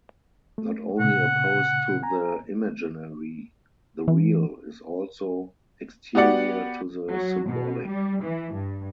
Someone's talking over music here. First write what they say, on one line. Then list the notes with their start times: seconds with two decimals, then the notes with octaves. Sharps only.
Not only opposed to the Imaginary, the Real is also exterior to the Symbolic.
0.58 A3
1.00 A#2 C#3 F#5
2.03 G#5 A#5
4.08 E3
6.15 B3 F#4 G4 D5 F#5
7.11 F#3
7.48 B2
7.86 G3
8.23 E3
8.53 G2